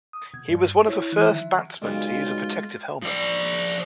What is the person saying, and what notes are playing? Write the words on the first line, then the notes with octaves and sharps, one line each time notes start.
He was one of the first batsmen to use a protective helmet.
D#6
B2 G#6
G2
E4 C#5
E3 E4 F#6
D#3 F3 E5
B1 A#2 C#3 G3 G#3 F4
F3 D5